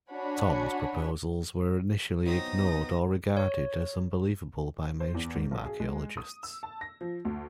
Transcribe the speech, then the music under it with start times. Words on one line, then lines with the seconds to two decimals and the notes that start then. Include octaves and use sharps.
Thom's proposals were initially ignored or regarded as unbelievable by mainstream archaeologists.
0.10 D4 F#4 C#5 F#5 G#5 B5
2.26 F#3 B3 C4 D#4 D#6 A#6
3.37 C#5
5.00 C5
5.15 E2
5.35 G#2
5.51 B1
5.66 G#4
5.80 G#3
6.17 D#6
6.43 E6
6.63 A5
6.81 A#6
7.01 F3
7.25 D2